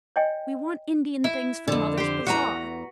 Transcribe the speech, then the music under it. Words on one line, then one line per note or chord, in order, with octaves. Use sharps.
'We want Indian things for mother's bazaar.
C#5 D#5 G5 G#5
E4 E5
F2 D3
G4 C5
E2 F#4 B4 A#5